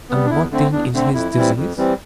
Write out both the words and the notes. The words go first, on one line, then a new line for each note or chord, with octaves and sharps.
'And what then is his disease?'
G3 B3
D4
E2 E4
D3 A3 C4
E2 D4
D3 A3 C4
F2 E4
E3 G3 C4
F2
E3 G3 C4